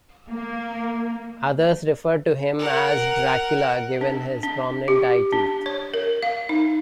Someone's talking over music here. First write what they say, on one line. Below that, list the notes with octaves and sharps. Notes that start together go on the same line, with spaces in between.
Others refer to him as Dracula, given his prominent eye teeth.
A#3
A#4 F#5
D4
D4
G4
D4
C#5
A#4
F5
D#4